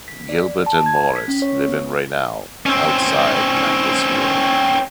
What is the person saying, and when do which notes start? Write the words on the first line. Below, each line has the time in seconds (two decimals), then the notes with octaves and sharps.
Gilbert and Morris live in Rainow, outside Macclesfield.
0.08 B6
0.29 D5
0.66 A5
0.86 G#6
1.16 B6
1.28 C#4
1.42 C#5
1.68 B3
2.66 C4 C#4